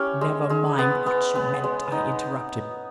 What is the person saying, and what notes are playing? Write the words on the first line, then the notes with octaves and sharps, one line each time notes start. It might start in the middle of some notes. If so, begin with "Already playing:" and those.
"Never mind what you meant!" I interrupted.
Already playing: C#4 E4 G4
G#3
G#3
B3
B3
B3
G#3
D#4